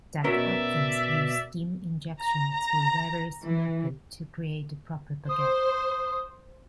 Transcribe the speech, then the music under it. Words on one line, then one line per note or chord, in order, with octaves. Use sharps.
Deck ovens use steam injection, through various methods, to create the proper baguette.
B2 C#4 A#4 D5 E5
A#5
A#5
E3
C5 D#6